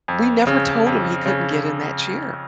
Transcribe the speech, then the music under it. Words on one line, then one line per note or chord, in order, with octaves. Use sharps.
we never told him he couldn't get in that chair.
F2
C#3
F2
C#3